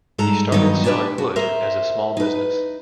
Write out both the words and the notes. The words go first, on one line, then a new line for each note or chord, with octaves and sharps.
He started selling wood as a small business.
G#2 G3 A4 A#5
G2 D#3 F#3 B3 D#4
D4 G4 B4 D5 G#5 A5
F#4
A#4 C5 E5
D#4 B4